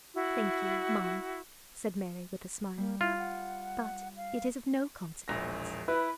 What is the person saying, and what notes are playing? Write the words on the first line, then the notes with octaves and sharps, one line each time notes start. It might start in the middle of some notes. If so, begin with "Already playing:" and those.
"Thank you, ma'am," said Mary, with a smile, "but it is of no consequence."
E4 F#4
G3 A#3
E4 F4
F#5
F5
E1 A#1 A#6
E4 B4